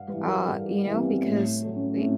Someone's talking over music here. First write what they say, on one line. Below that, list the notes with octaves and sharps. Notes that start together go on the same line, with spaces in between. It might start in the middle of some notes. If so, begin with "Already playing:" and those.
uh, you know, because eh
Already playing: G2 F5 F#5
E3 G3 B4
A#4
G2 A4
G4
E3 G3
C4
B3
A2 A3
F#3 A3
C#4
C#4
A2 C4